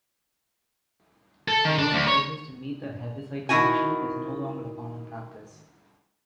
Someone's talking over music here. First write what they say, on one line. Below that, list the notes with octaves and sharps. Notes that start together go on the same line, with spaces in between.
Loading cables to meet the Heaviside condition is no longer a common practice.
A4
D#3
D4
D2
C#5
D#3 E4 F#4 G#5